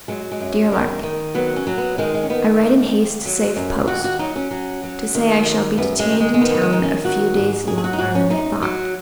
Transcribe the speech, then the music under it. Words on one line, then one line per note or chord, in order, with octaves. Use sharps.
'DEAR LARKIN,--I write in haste to save post, to say I shall be detained in town a few days longer than I thought.
F#3 G#3
G#3
F#2
D#3
D#3
F#3 B3
C#4
F#3
B3
D#3 G#3
G#3
C#4
D#3 B3
D#2
D#2
F#3
F#2
D#2 F#4
F#4
F#3 D#4
C#4
F#3
F#3
D#3
D#2
F#2 B3
G#3
D#3
G#3
G#3
D#3 B3
B3
G#3
D#3 D#4
C#4
F#3 F#4
G#2
G#2 G#4
G#4
F#4
D#4
G#2 F#4
C#4
F#2 D#4
F#3